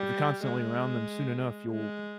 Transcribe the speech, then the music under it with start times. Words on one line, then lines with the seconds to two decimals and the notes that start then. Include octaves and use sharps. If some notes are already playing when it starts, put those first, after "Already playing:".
if you're constantly around them, soon enough you'll
Already playing: G3
0.43 G#3
1.71 G#3